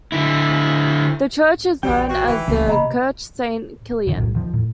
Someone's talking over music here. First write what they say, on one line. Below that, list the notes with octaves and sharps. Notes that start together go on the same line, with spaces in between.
The church is known as the Kirche Saint Kilian.
D3 E4
A#1 E2 F#3 G3 G4 D5 G5
C4 F#4
D#3 E3
C#2 C#3 A#3 G4
C3 D#5 A#5 B5
E1 D#3
B1 A2
E2 D#3 F3
A2